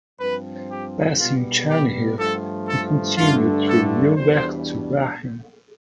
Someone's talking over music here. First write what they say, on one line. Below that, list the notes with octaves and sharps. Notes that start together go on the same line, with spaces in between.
Passing Chernihiv, he continued through Liubech to Brahin.
G2 F3 C4 B4
G4
B2 G3 B3 F4
G4
G2 F3 A3 A4
A4
G2 D3 A3 D4 F4
A4
E2 B2 G3 D4 C5